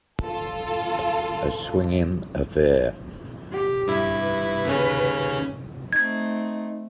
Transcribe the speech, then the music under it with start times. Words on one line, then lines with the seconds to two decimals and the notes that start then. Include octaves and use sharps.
A Swingin' Affair!
0.20 F4 A4
3.52 G4
3.88 G2 E4
4.22 B4
4.65 D#2 C#3 C#4
5.93 A3 C4 D#4 G#6